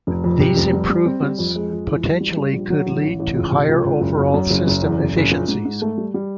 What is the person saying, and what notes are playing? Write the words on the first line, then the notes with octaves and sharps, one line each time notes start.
These improvements potentially could lead to higher overall system efficiencies.
F1
F2
C3
F1
G3
G3
C4
G3
F2
G#3
F2
E3
G3
G3
G3
A#1
F#3
A1
A1
A1
C#2
C3
C#2
C#2
F#1
F#2
F#2
F#1
F#1
E2
F#1
F#1
A#1
G#2
G#2
A3
G3
G3